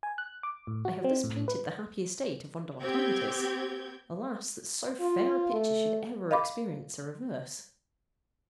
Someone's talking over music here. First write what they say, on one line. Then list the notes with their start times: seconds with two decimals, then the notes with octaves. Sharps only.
I have thus painted the happy estate of Vondervotteimittiss: alas, that so fair a picture should ever experience a reverse!
0.03 G#5
0.18 F#6
0.43 D6
0.67 A2
0.85 F#4
1.04 C4
1.24 A2
1.48 B4
2.80 B3 C4 G4 G5 G6 G#6
5.00 F4
5.52 A3
6.31 D#5 F5 B5 D6